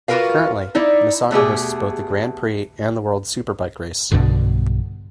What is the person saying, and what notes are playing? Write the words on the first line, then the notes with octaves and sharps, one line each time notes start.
Currently, Misano hosts both the Grand Prix and the World Superbike Race.
F4 F#4 G#4 A#4 B4 F5
D#4 E4 D5
B2 A3 G4 G#4
B1 G2 B2 D3